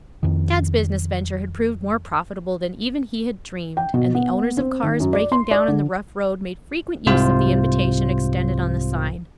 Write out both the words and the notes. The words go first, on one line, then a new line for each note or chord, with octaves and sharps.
Tad's business venture had proved more profitable than even he had dreamed, and the owners of cars breaking down on the rough road made frequent use of the invitation extended on the sign.
F2 D#3
G5
B2
B3
C4
D#3
F#2
D5
C6
D5
D3
C2 G#2 C3 F4 C5